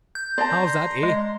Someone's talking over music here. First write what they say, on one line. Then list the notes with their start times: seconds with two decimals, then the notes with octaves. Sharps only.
How's that, eh?
0.15 G6
0.38 D5 A5 A#5 C6
1.03 G#3